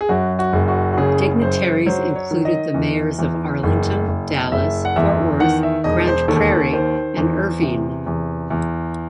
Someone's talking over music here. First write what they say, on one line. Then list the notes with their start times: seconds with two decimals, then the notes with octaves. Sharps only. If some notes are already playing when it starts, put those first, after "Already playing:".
Dignitaries included the mayors of Arlington, Dallas, Fort Worth, Grand Prairie, and Irving.
0.01 G#4
0.09 F#2 F#4
0.39 F#4
0.53 F#1
0.68 F#4
0.93 F#4
0.98 C#3 G#4
1.42 F#2 C5
1.86 F#3 C5
2.16 C#5
2.31 D#3
2.45 D#5
2.74 E2
3.19 E2
3.63 F#1
4.08 F#1
4.52 F#1 E5
4.85 F#5
4.96 E2 E5
5.40 D#3 F#5
5.63 E5
5.84 E1 D#5
6.07 C5
6.28 D#2 A4
6.73 D#3 C5
7.17 E2
7.62 C3
8.06 E2
8.50 E2